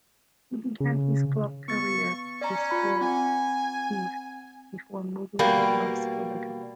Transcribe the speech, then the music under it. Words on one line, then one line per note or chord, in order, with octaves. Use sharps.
He began his club career with Sport Recife before moving to Vasco da Gama.
C#3
B3 C#6 A6
C#4 D5 A#5
F4 B5
C4 G#5
B2 G3 A#3